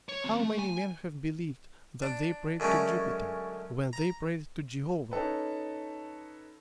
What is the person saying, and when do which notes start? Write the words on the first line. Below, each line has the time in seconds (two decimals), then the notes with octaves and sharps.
How many men have believed that they prayed to Jupiter, when they prayed to Jehovah!
0.09 C#5
0.24 C4 F#4
0.39 A3
0.59 G#5
2.02 D4
2.60 F#2 D3 G#3 A3 C#4
3.93 A#5
5.11 C#4 D#4 A4 B4